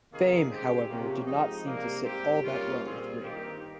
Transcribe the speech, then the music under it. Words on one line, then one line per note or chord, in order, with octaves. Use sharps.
Fame, however, did not seem to sit all that well with Regan.
C3 D#3 A#3 F4 G#4
C#3 G#3 C4 G4
C3 F3 A#3 C#4 G4
F3 G#3 D#4
C3 G3 A#3
G#2 G3 C4 G4
G3 A#3 C#4 F4
A#2 G3 C4 F4 G#4
G2 D#3 A#3 D#4 G4